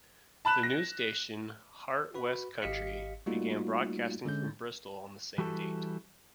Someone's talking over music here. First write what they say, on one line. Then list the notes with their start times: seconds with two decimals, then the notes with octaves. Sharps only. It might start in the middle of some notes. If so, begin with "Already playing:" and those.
The new station, "Heart West Country", began broadcasting from Bristol on the same date.
0.45 A5 B5 F#6 E7
0.63 A#6
2.14 F#4 B4 B5
2.62 G#1 G4 D#5 F5 B6 C#7
3.26 G3 A3 A#3 D#4 F4 F#4
4.25 D3 G#3 C#4 G6
5.38 E3 G3 F#4 G4 A4